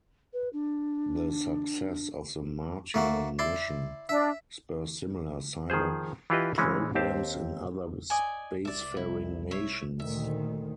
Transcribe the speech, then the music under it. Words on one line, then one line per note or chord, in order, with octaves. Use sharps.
The success of the Martian mission spurs similar cyborg programs in other spacefaring nations.
B4
D4
A3 A#3 F#4
E4 D5 C6
D4 E5
D#3 F3 G#4 C5
E3 E4 F4 G4 B4 D#5
C#3 E3 G#3 C4 C#4
D#2 C4 G4 C5 A5
D5 D#5 G#5
C2 D5 E5
E4
C#5 E5
D2 A#2 D#3 E5